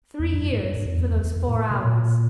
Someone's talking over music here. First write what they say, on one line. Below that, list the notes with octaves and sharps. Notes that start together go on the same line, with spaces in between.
Three years for those four hours.
E2
F2
F#2
G2
G#2
G2
G2
F2
E2
F2
E2
E2
F2
A2
B2
A#2